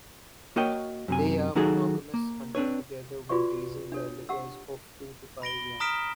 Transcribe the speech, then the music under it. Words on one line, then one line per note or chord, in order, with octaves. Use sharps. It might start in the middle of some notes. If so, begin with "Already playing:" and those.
They are monogamous, hunting together when raising their litters of two to five young.
A#3 F#4 A#4 C#5 D#5 G5
F#2 C3 G#5
D#3 F#3 D#4 F#4 G#4 A4
A#3
C4 D4 B4 C#5
F4 F#4 G#4 B4 D5 C#6
D4 A4 C#5
G4 F#5 E6
B5 A#6 D7 G7
A#5 D#6 F6 B6 D7 E7